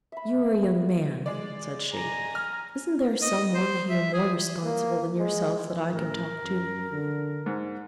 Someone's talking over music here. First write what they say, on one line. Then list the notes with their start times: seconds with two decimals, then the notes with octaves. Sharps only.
"You are a young man," said she; "isn't there some one here more responsible than yourself that I can talk to?"
0.12 E5 B5
1.26 G#3 D5
1.93 G#5 A#5
2.35 F6
3.22 D#5
3.55 C5
3.90 E5
4.14 G#4
4.64 A#3
5.18 G#3
5.89 A1 A#4
6.42 F#2
6.91 D3
7.46 G#2